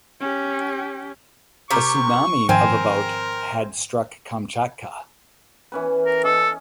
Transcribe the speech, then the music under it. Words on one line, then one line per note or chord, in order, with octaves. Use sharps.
A tsunami of about had struck Kamchatka.
C#4 G4
C3 G4 A#4 C#6
G#2 D#3 F3 C4 A#4 G5 G#5
E3 C#4 B4
A#4
C#4 A4 D#5